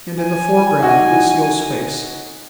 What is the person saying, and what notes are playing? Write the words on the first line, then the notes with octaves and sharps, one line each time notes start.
And in the foreground Lucille's face.
G#5
D#4 F#4